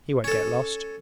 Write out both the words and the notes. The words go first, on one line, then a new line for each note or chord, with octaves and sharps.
'He won't get lost.
C#4 A4